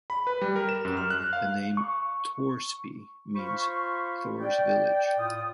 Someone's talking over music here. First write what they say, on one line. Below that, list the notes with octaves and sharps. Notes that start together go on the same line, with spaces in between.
The name "Torsby" means Thor's village.
B5
B4
G3
A#4
E7
F#2
F6
F#6
F5
C#6
F4 C5 F5 B5 C#6
D5 G5
A2 F4 D#6